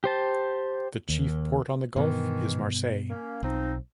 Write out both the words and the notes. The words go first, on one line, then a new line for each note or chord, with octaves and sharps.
The chief port on the gulf is Marseille.
G4 C5 A5
D#2
G2 B2 D#3 E3 B3
A#3 C#4
B1 F3 C4 D#4